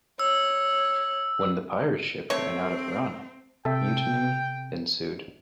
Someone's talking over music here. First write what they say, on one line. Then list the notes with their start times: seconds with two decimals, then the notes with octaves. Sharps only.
When the pirate ship ran out of run, mutiny ensued.
0.19 C#5 E6
2.30 A3 C4 C#5
3.65 C3 A4 E5 G5